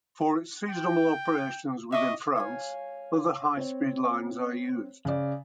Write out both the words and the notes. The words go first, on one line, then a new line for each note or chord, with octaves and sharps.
For its seasonal operations within France, other high-speed lines are used.
G5
D#5 E5 C#6 D6
C#5 F5 G#5
C4 C#5
C#3 D5